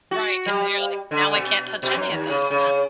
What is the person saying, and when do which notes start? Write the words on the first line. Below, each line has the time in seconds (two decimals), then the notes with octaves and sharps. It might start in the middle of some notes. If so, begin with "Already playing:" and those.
Right, and then you're like, "Now I can't touch any of those."
0.11 F#4
0.46 G3
1.11 D3
1.36 B2
1.83 B2
1.95 F#2
2.11 D#2
2.29 C#3
2.50 C#3